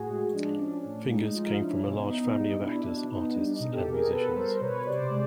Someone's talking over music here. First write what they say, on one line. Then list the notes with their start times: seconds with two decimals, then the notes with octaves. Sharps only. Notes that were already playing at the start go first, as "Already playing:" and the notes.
Fingers came from a large family of actors, artists and musicians.
Already playing: A2 F#4 G#4
0.09 G#3
0.33 F3 D4
0.58 C#4
0.84 A2
1.09 G#3 D#4
1.34 F3 D#4 F4
1.59 C#4 D4 E4
1.84 B2 D#4
1.93 E4
2.02 D#4
2.10 B3
2.34 G3
2.59 B2 D4 E4
2.84 B2 D4
3.10 B3 D#4
3.35 G3 D4
3.53 D#4
3.60 B2
3.72 G4 A4
3.86 B2
3.91 G#4 A#4
4.10 B3 A4 B4
4.35 G3 A#4 C5
4.55 C5
4.61 B2 B4 C#5
4.85 C3 C5 D5
5.10 G#3